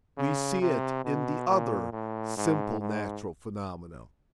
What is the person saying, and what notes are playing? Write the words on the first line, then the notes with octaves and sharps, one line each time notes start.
We see it in the other simple natural phenomena.
C#3
C3
B2
A#2
A2
G#2
G#2